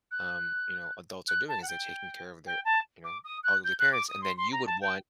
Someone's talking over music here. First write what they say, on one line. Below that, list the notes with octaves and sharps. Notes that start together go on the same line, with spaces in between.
um, you know, adults are doing is they're taking care of their, you know, elderly parents. And then you would want
F#6
F#6
A5
F#5
G5
G5
A5
D6
D#6
F#6
G6
F#6
D6
D#6
C6
C6
A#5
A5
G5